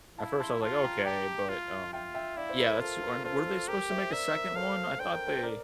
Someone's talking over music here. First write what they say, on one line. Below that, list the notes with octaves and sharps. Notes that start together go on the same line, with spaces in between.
at first I was like, okay, but um yeah, that's when weren't they supposed to make a second one? I thought they
E4 F5 A5
A5 C6
F4 A5 C6
G5 A#5
G4 G5 A#5
F4
F4 E5 G5
E5 G5
E4 D5 F5
C5
A#4
F4 A4
A#4
F4 A4 C5
A4
G4 A#4
C5 E5
A#4 D5 E5
A#4
A4 C5 F5
C5 G5
A#4
A4 C5
A#4 D5